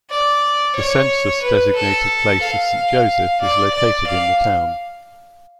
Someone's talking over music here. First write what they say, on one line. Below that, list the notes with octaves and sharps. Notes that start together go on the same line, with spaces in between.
The census-designated place of Saint Joseph is located in the town.
D5
C#5
B4
A4
F5
D5
D5
F5